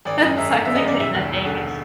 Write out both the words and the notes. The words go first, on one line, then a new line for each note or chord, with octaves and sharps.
so I wasn't getting nothing.
G#1 D5
F#2 D#5
G#1 E5
D3 F5
G#1 E5
D#5
F#2 D5
E1 E5
D#2
E1
D3